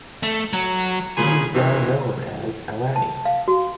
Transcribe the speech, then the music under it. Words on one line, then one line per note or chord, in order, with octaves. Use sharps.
He is well known as "alani".
A3
F#3
A#2 C#3 G#4 G#5 B5
F#2 B2 D#3 E3 G#3
A5
F5
F#4